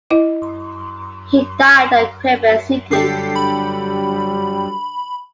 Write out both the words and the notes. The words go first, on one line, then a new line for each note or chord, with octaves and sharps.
He died at Quebec City.
E4 D#5
D3 F#3 G3 G4 A4 C7
B5